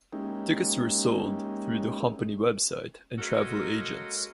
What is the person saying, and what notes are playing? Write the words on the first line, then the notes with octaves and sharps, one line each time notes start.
Tickets were sold through the company website and travel agents.
G#3 A#3 C#4 D#4 E4 G4
G#3 A#3 C#4 F#4 A4 A#4